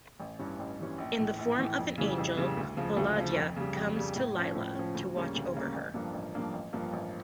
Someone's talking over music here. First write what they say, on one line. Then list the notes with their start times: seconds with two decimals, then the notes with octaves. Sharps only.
In the form of an angel, Volodya comes to Lilya to watch over her.
0.20 A1
0.39 G2 E3 G3 C#4
0.59 A1
0.79 G2 E3 G3 C#4
0.98 A#1
1.18 A2 E3
1.39 A#1
1.58 A2 E3
1.78 F2
1.98 C#3 E3 G3
2.18 F2
2.37 C#3 E3 G3
2.57 D2
2.77 C#3 F3
2.97 D2
3.16 C#3 F3
3.36 F2
3.56 C#3 G3
3.76 F2
3.96 C#3 G3
4.16 A2
4.35 F3 C#4
4.55 A2
4.75 F3 C#4
4.95 D2
5.14 C#3 G3 A#3 C#4
5.35 D2
5.54 C#3 G3 A#3 C#4
5.74 A1
5.94 G2 F3 A#3 D4
6.14 A1
6.33 G2 F3 A#3 D4
6.53 A1
6.73 G2 F3 A#3
6.93 A1